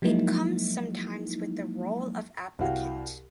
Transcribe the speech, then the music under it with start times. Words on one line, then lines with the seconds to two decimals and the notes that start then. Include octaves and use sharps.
It comes sometimes with the role of applicant.
0.02 F3 F#3 G#3 A#3 D#4 E4
2.59 C2 E4 F#4 F5 G5